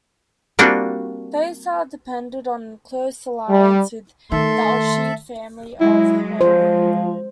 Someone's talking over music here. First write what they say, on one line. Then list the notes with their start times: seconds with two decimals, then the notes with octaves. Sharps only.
Faisal depended on a close alliance with the Al Rashid family of Hail.
0.59 G3 A#3 C4 D4 F4 F#4
3.49 G3
4.32 D#3 A3 A4 E5 C6
5.81 F#3 G#3 E4
6.41 F3 F4 C5